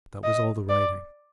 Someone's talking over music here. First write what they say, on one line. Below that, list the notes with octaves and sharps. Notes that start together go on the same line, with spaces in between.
That was all the writing.
D#5
D5